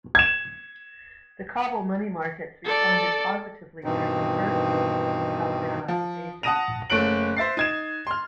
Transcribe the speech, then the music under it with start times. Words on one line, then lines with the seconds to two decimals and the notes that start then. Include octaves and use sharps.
The Kabul money markets responded positively during the first weeks of the Taliban occupation.
0.15 G#6 E7
2.65 A4 D5
3.84 G2 B2 D#3 E3 C4 D#4
5.88 F3
6.43 F#5 A5 D#6 A#6 D#7 F7
6.90 F#1 A3 C#4 F#6 D7 F#7
7.37 C5 E5 A6 C7
7.57 D#4 G#6 E7
8.07 C6 F6